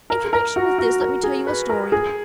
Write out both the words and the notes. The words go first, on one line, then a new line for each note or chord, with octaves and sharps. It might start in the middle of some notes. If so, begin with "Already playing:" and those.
In connection with this, let me tell you a story.
A#4
A#4
F#4
F#4
A#4
G#4
B4
A#4
G#4